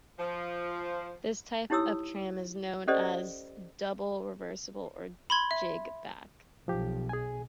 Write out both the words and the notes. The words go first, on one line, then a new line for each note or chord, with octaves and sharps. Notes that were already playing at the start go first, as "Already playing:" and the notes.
This type of tram is known as a double-reversible or "jig-back".
F3
D#4 E4 G4 C#5 D#6 E6
C#4 G4 A4 C5 D5 D#5
B5 C6 G#6
E5
B1 F3 G4
G#4 G#5